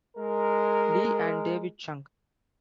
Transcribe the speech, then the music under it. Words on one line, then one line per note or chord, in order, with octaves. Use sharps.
Li and David Chung.
G#3 A#4